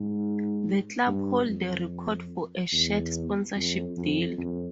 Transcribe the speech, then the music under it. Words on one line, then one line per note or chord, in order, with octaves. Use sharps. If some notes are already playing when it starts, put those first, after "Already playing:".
The club hold the record for a shirt sponsorship deal.
Already playing: G#2
G2
F2
E2
F2
F2
F2